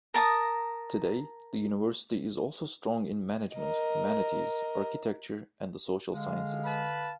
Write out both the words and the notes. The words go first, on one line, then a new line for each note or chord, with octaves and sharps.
Today, the university is also strong in management, humanities, architecture and the social sciences.
A#4 A5 A#5 D#6
A#4 D#5
D3 G#3 F5
B4 A5 B5